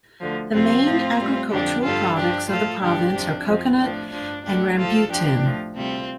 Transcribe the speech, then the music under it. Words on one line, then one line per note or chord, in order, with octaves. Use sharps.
The main agricultural products of the province are coconut and rambutan.
D2 D3 F3
F2 C3 G3 C4 F4
A2 F3
A2 G3
F2 D3 F3 D4 G4
G2 D3 G3 F4 A4
G2 F3 D4 G4
A2 F3 F4 A4
G2 D3 G3 D4 G4
F2 C3 F3 D4
F2 F3 C4
A2 F3 D4
G2 F3 D4
D2 D3 G3 D4 G4
A2 F3 F4 A4
F2 F3 D4 G4
A2 F3
D2 C3 G3 C4 F4